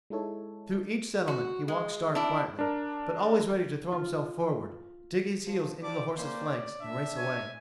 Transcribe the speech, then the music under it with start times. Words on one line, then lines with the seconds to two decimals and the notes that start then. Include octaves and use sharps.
Through each settlement he walked Star quietly, but always ready to throw himself forward, dig his heels into the horse's flanks and race away.
0.10 G#3 D#4 E4 A4 C#5
1.28 F#4
1.68 G#3
2.15 D4 E4
2.59 D4 A#4
3.92 F4
5.46 F3
5.82 F3 G3 D5 A5 D6
6.17 A#3 C#4 C5 D5
6.49 C#5
6.80 D4 E5
7.17 C#5 G#5